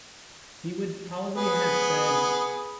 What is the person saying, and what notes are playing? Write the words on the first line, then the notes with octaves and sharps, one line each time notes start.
He would probably have said
B3 G#4 B4